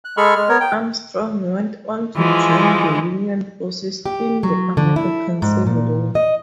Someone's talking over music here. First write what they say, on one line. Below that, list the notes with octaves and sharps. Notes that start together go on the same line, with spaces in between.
Armstrong went on to join the Union forces in the American Civil War.
F#6
G#3 G#4 A4 B5 C#6 F6
G#3 F6
B3 A#4 C#5
G5
E3 F3 G#3
G4
F#3
D3
E4
G#2
A#2
D#5